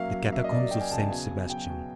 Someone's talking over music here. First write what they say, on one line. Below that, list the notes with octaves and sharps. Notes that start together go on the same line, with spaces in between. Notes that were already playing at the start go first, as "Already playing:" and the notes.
The Catacombs of Saint Sebastian.
Already playing: F#3 A#3 C#4 E5 F5
F#3
A#3 E5
D#5
F#3 D5
F#3 G5
G#5
C#3 A5
B2 G#5
B2
F#3 G5
B2